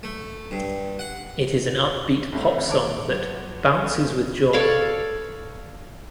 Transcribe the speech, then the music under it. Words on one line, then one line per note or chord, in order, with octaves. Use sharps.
It is an upbeat pop song that "bounces with joy".
A3
G2
F#5
C2 A2 D3
G#2 D#3 C#5 A5 D6
F#3 B3 F4
F2
C2 F2 C#3 B3 G4 A4
A4 C#5 D5 F5